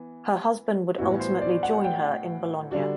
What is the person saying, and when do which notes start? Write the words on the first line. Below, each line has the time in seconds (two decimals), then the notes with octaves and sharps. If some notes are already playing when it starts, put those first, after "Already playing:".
Her husband would ultimately join her in Bologna.
Already playing: E3 B3
0.98 A2 E3 G3 B3 E4 F#4
1.20 C5
1.41 D5
1.63 F#5
1.84 G5
2.71 D3 G3 D4 F#4